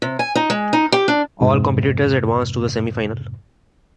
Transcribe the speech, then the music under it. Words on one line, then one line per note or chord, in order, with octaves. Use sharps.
All Competitors advanced to the semi-final.
C3
G#5
D#4
G#3
D#4
G4
D4
F2 G#2 C3